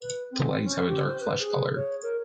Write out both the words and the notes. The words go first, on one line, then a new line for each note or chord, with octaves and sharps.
The legs have a dark flesh color.
B4
C4
C#4
G4
C5
B4
G#4
C#5
A#4